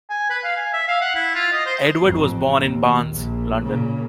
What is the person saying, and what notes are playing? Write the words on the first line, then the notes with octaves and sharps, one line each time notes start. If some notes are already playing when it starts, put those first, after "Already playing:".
Edwards was born in Barnes, London.
G#5
B4
F5
G#5
E5
F5
F#5
E4
F4
D#5
C5
A1 F2
D#2
A#1
A#2 C#3